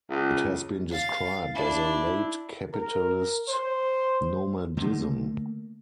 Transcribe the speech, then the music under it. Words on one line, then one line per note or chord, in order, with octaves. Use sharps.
It has been described as a "late capitalist nomadism".
C#2
F5 A6
D4 E4
A#4
C5
D3 A3 A#3